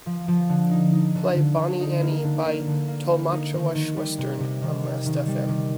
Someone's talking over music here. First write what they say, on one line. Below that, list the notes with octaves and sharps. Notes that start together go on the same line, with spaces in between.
Play Bonnie Annie by Tolmatschowa-schwestern on last fm.
F3
F3
D3
D#4
D#4
D3
D3
D3
D#4
A#3
D3
A#3
D3
A#3
A#3
D#4
D#3
D#3
G3
C3
C3
D#3
G3
D#3
G3
D#3